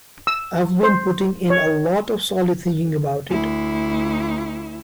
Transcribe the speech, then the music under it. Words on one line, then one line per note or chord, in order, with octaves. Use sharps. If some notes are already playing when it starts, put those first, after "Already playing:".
I've been putting in a lot of solid thinking about it.
E6
C5
C#5
D2 E4